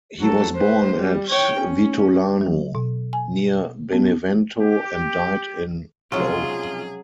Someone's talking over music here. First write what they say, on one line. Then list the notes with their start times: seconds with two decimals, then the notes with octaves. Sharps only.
He was born at Vitulano, near Benevento, and died in Rome.
0.20 F#3 A4
0.55 B4 C5
0.96 G3
1.29 C#5 G5
1.61 C#4
2.41 F#3
2.75 B2
3.13 G#5
3.92 B3
4.61 G4
6.12 B1 C3 F3 F#3 G#3 C#4 F4 G#4